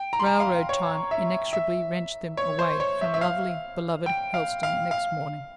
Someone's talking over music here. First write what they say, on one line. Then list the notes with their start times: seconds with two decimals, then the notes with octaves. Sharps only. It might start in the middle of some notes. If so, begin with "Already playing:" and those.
Railroad time inexorably wrenched them away from lovely, beloved Helstone, the next morning.
Already playing: G5
0.13 A#5
0.20 C6
0.26 A#5
0.40 F5
0.69 C#5
1.11 E5
1.53 E5
2.37 C#5
2.59 C5
2.80 C#5
3.01 E5
3.14 E5
3.21 F5
4.06 G5
4.34 F5
4.63 F5
4.91 F5